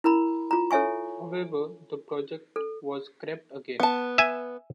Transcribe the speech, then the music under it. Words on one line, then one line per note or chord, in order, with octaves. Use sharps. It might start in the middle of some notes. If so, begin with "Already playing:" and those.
However, the project was scrapped again.
E4 A#4 A#5 B5
F4 A#5
A4 C#5 E5 G#5 C#6
A4
B3 A5
E5 G#5